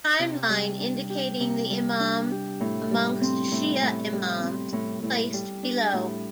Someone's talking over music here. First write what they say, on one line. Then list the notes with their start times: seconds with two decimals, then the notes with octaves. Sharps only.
Time line indicating the Imam amongst Shia Imams placed below.
0.19 C3
0.49 G3
0.80 D4
1.09 G4
1.40 C3
1.70 G3
2.00 D4
2.31 G4
2.60 A2
2.91 G3
3.21 C4
3.52 A2
3.81 A2
4.12 G3
4.42 C4
4.73 A2
5.03 A2
5.33 G3
5.63 D4
5.93 A2